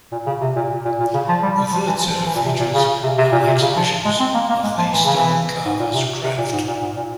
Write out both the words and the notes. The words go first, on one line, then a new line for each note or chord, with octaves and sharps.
The third set of features are exhibitions of the stone carver's craft.
A#2
C#3
C3
A#2
A#2
A#2
C#3
F3
G3
G3
F3
E3
F3
F3
E3
A#2
C3
A#2
C#3
C3
C3
A#2
C3
C#3
F3
G#3
C4
A#3
A#3
G#3
F3
E3
C#3
E3
G#2
A#2
C3
C3
A#2
G#2
A#2
G#2
A#2